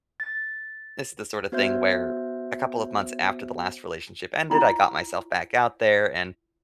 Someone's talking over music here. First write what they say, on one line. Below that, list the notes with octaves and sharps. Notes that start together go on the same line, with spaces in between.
this is the sorta thing where a couple of months after the last relationship ended, I got myself back out there and
A6
B3 F#4 C5 E5 G6
E4 F4